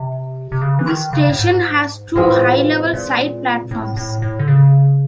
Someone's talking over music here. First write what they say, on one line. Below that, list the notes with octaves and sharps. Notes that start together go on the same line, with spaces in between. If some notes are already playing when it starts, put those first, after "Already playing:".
This station has two high-level side platforms.
Already playing: C3
C3
C#3
E3
D#3
C#3
A2
G#2
A2 E3 G#3 C4 F4
A#2
A2
A2
A2
D3
C#3